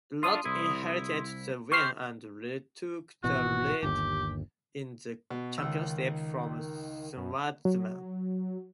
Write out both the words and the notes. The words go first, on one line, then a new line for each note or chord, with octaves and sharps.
Ilott inherited the win and retook the lead in the championship from Shwartzman.
D4 F4 C6 D#6
C2 E4
G4 C5 C#6 F6 C7
G#1 B2 E3 F#4
G1 D#2 G4
B2
C#2 D#3 E6
F#2
F#3